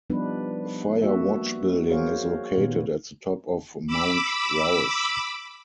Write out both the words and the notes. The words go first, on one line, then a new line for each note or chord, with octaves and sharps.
A fire watch building is located at the top of Mount Rouse.
F3 G3 B3 D4 D#4 B4
A#3 F#4 E5
F#4 G#4 A#4 C5 C#5 F5
A#2 D#3 B3
B5 D6 E6